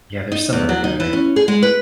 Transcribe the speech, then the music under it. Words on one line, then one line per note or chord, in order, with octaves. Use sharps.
Yeah, there's some other guy.
D#4
E2
F#3
D#4
E3
C#4
G#4
G#3
B4